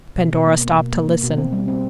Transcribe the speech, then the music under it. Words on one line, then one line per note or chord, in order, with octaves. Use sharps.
Pandora stopped to listen.
B2
B2
A#3
A#3
B2
A#3
A#3
B2
C4
G3
C4